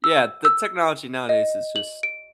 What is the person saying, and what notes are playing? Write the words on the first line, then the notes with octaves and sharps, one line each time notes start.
Yeah, the technology, nowadays, is just
E6
E6
D#5
F#7
D7